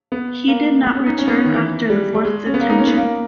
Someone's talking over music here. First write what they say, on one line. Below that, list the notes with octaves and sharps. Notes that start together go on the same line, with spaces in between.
He did not return after the fourth detention.
B3
A#3
B3
C#4
D#4
C#4
B3
C#4
D#3
E3
G3
G3
G#3
C#4
B3
A#3
D#4
C#4
B3
A#3